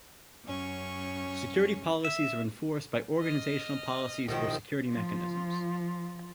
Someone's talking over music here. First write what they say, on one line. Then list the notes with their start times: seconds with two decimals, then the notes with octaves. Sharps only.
Security policies are enforced by organizational policies or security mechanisms.
0.44 F#2 C#4 C#6
2.05 E5
3.21 D#5 F6
4.28 C2 B2 D#3 F3 D#5 G5
4.89 F3 F4